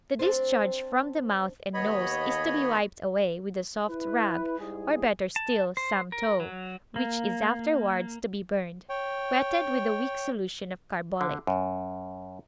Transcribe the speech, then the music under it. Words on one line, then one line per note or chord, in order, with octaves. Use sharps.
The discharge from the mouth and nose is to be wiped away with a soft rag--or, better still, some tow, which is afterwards to be burned--wetted with a weak solution of carbolic.
C4 D4
D#2 B3 C#5 D#5 B5
E4 B4
G#2 G3 E4 G#4
A5
C5
A#4
F#3
A#3
C#5 G5
D3
F#2